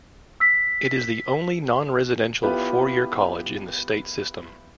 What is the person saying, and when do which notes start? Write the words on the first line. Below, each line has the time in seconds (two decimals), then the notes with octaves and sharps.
It is the only non-residential four-year college in the state system.
0.40 E6 B6
2.43 B3 E4 F4 G4 B4